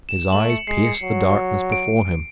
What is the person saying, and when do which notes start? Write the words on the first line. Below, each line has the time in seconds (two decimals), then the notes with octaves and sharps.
His eyes pierced the darkness before him.
0.09 E7
0.32 A3 F#7
0.50 C#7
0.67 G#3 C7
0.85 C#7
1.02 F#3
1.72 D7